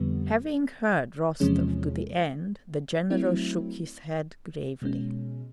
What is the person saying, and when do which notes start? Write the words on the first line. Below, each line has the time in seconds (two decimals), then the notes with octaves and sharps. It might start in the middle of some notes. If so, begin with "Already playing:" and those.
Having heard Rostov to the end, the general shook his head gravely.
Already playing: F2 D3 G3 B3
1.40 E2 C3 F3 G#3 C#4
3.10 F#3 A3 C4 E4
4.82 B2 G#3 C#4